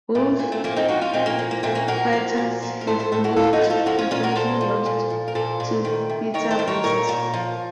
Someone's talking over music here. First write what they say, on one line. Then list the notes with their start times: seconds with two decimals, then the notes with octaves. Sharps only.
Both fighters have most recently lost to Pieter Buist.
0.15 A#2 A3
0.39 A#2
0.52 A3 C4
0.64 F3 A#3 C#4
0.76 C4 D#4
0.88 F3 D#4 F#4
1.01 C#4 F4
1.13 A#2 C4 D#4
1.26 A#3 C#4
1.39 F3
1.51 A#3
1.63 A#2 A3 C4
1.75 A#3 C#4
1.88 F3 F#4 A#4
2.13 F3
2.38 A#2
2.63 F3
2.81 A#4
2.87 A2 A4 C5
3.00 A4 C5
3.12 A2 A4 C5
3.24 F#4 A#4
3.36 A2 F4 A4
3.53 D#4 F#4
3.61 F3
3.70 F4 A4
3.86 F3 F#4 A#4
3.98 C#4 F4
4.11 A#2 C#4 F4
4.23 F#4 A#4
4.36 A#2 A4 C5
4.61 F3
4.86 A#2
5.10 F3
5.28 A#4
5.35 A#2 A4 C5
5.60 A#2
5.85 D#3
6.10 C3
6.34 D#3 A#4 C#5
6.50 A4 C5
6.59 D#3
6.67 A#4 C#5
6.84 A#2 A#4 C#5
7.09 A#2
7.34 F3